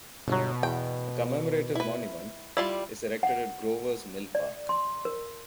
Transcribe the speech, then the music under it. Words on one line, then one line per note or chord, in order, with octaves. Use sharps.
A commemorative monument is erected at Grover's Mill park.
G1 B2 F#3
E2 G5
E4 B4
G3 E4 F4 D5
F#5
D5
C6
A#4